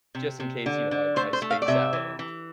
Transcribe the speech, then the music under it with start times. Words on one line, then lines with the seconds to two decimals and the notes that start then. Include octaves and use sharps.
just in case, you know, I I space out and,
0.15 C3
0.40 C3
0.66 D3
0.91 D3
1.16 A3 C5
1.33 C5
1.42 A3
1.50 F5
1.62 D5
1.68 C3 E5
1.93 E3
2.19 E3